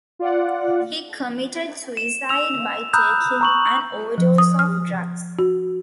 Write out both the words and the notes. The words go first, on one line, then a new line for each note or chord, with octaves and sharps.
He committed suicide by taking an overdose of drugs.
F4 D5 F#5
E7
E6 F7
A#5 B5 D#6 E6 F#6 G6
A#5 C#6 F#7
F3
D#6
F6
F#4